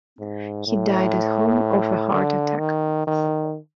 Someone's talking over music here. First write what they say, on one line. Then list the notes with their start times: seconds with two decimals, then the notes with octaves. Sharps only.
He died at home of a heart attack.
0.19 G#2
0.67 A2
2.11 D3
2.59 D#3
3.07 D#3